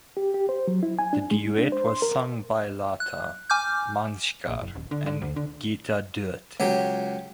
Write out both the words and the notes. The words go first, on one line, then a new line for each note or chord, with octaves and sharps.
The duet was sung by Lata Mangeshkar and Geeta Dutt.
G4
G4
C5
F#3
E4
G#5
D4
G#3
D4
C5
C6
A#4
F#6
G#5 D6 F6 G6
A#1
F#1
D#1
D3
D3
D2
D3
C#2 F#3 G4